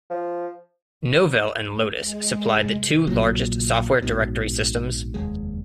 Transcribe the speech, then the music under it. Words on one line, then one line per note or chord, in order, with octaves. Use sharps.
Novell and Lotus supplied the two largest software directory systems.
F3
G#3
A#1 A#2 F#3
A#1 G#2 B2
F1 D#2 G#3